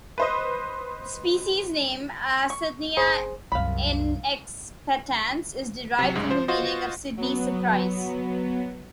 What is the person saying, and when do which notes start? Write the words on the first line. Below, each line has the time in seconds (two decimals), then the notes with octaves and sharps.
The species name, "Sidneyia inexpectans", is derived from the meaning of "Sidney's surprise".
0.18 B4 C5 D#5
2.50 C#6
2.97 F#1 C4 G#4 C5
3.52 C2 F#2 F5 B5
5.99 C3 F#3
6.15 C2 G#2 C#3 G#3
6.31 F3 C5
6.48 F4 F#4 C5 D#5
7.17 F#3 B3